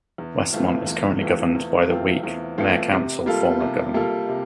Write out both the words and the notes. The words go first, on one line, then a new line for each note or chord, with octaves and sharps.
Westmont is currently governed by the "Weak Mayor-Council" form of government.
E2
E3 A3 C4 F4
E2
E3 A3 C4 F4
E2
E3 A3 C4 F4
E2
E3 A3 C4 F4
C3
G3 A#3 F4 A4
C3
G3 A#3 F4 A4
C3